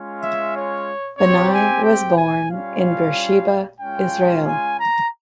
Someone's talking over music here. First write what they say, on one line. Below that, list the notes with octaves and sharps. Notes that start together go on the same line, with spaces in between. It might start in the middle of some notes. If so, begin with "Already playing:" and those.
Banai was born in Beersheba, Israel.
Already playing: G#3 C#4 F4
E5
C#5
C4 G4 C#5
G#5
G5
G#5
G3 C#4 F4 F5
G#3 C#4 F4 G5
G#5
A#5